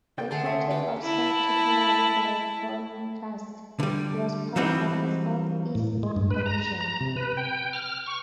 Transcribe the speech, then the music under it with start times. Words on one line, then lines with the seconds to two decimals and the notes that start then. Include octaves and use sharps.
The county of South Tipperary, by contrast, was part of the South-East Region.
0.18 C3 A4 D5 G5
0.31 D3 A3 C#4 G#4 F#5 A5 C6
0.46 E5
0.71 G4 B4
1.04 E4 A5
3.80 D3 G3
4.56 E3 F#3 G3 C4 D#4
5.75 A2
6.03 G#3
6.16 G2
6.31 B4
6.46 A#5
6.81 A#5
7.01 C3
7.16 B4
7.37 G5
7.73 F6
8.07 C#6